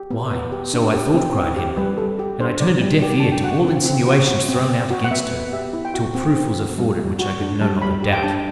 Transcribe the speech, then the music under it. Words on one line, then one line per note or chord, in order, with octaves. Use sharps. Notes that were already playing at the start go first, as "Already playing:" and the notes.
"Why, so I thought," cried Henry, "and I turned a deaf ear to all insinuations thrown out against her, till proof was afforded which I could no longer doubt."
Already playing: G4
B3
B3
G4
D4
G4
C4
C4
G4
G3 B4
G3 A4
G4
D4 C5
G3 D5
G3
G4 D5
D4 A5
G5
F#4 F#5
C4
C4
F#4
F#4
C4
C4
F#4
F#5
B3 E5
B3
G4 E5
E4
G5
F#4 F#5
C4
C4
F#4
G3
G3
F#4
D4
G3 A5
G3 B5
G4
G5
D4 A5